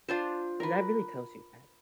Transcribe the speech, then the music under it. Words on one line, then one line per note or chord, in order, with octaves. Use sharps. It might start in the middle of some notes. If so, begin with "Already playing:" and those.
and that really tells you that
D4 F4 C5
A#4 B4